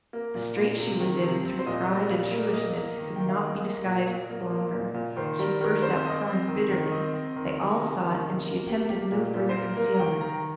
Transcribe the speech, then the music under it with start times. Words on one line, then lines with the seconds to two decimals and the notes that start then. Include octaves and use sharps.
The strait she was in through pride and shrewishness could not be disguised longer: she burst out crying bitterly; they all saw it; and she attempted no further concealment.
0.13 A#3
0.35 A#2
0.57 A#2
0.79 C3
1.00 D#3
1.22 C3
1.44 C4
1.59 C5
1.66 A#2 D#5
1.88 G3
2.10 A#2
2.31 A#3
2.54 A#3 D#5
2.76 A#3
2.98 D#3
3.16 D#3 G5
3.29 F5
3.42 A#3 D#5
3.64 A#3
3.85 A#2
4.07 A#2
4.29 A#3
4.51 A#3
4.73 A#2
4.94 A#2
5.16 D#3 C5
5.39 G3 A#4
5.61 D#3 A#4
5.82 C4 C5
6.04 C4 D#5
6.26 C4
6.48 D#3
6.71 D#3
6.92 C4 D#5
7.14 C4
7.36 D#3
7.58 D#3
7.80 C3
8.02 D#3
8.24 C3
8.45 A#3
8.67 A#3 G4
8.89 A#3 G4
9.12 A#2
9.34 A#2
9.49 C5
9.55 A#3 A#4
9.77 A#3 A#4
9.94 A#5
9.99 D#3 G5
10.21 D#3 A#5